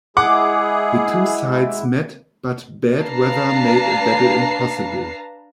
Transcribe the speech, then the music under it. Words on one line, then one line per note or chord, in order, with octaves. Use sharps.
The two sides met but bad weather made a battle impossible.
G#3 E4 G#4 F#5 D6
D4 B4 F5 A5 A#5 C7